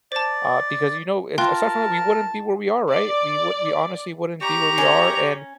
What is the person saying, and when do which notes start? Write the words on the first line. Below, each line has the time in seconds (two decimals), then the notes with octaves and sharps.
uh, because, you know, it's aside from that, we wouldn't be where we are, right? We would We honestly wouldn't be where we are, and
0.12 C5 D5 A5
1.38 F4 A#4 G5 A5 C6 F#6
2.92 D5
4.41 G4 A#5 C#6
4.78 C#4